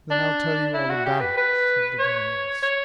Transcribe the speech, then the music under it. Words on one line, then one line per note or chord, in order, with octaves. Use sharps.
"Then I will tell you all about it," said the Dormouse.
D4
E4
F#4
G4
B4
B4
C#5
C#5